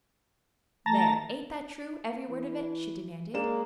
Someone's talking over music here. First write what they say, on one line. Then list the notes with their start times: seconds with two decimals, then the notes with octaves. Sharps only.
"There, ain't that true--every word of it?" she demanded.
0.86 A3 A5 A#5
2.29 E3
3.34 G#3 A#3 D5 E7